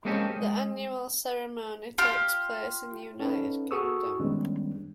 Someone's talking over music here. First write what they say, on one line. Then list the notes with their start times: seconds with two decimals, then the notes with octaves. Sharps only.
The annual ceremony takes place in United Kingdom.
0.05 G#3 A#3 C4 C#4 G4 A4
0.36 G#3
1.98 F4 G4
3.20 C#4 D#4 A4 B4
3.71 F#4 G#4 A4 C#6 D#6 E6
4.20 D#3 G3 G#3 B3 C#4 D4